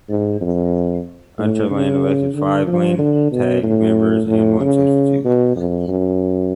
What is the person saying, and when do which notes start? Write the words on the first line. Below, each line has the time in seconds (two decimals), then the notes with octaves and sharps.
Unterland elected five Landtag members and one substitute.
0.10 G#2
0.41 F2
1.38 A2
1.71 C#3
2.35 D3
2.67 F3
2.98 D3
3.32 B2
3.63 A2
4.27 A2
4.60 C#3
5.25 B2
5.56 F2
5.88 F#2